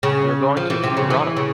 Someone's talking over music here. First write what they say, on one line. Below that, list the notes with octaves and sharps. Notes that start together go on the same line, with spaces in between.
We are going to Tiurana.
C#3
F3
E3
C3
C#3
E3
C#3